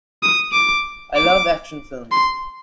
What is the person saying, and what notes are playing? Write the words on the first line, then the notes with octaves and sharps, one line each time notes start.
I love action films.
D#6
D6
D6
C6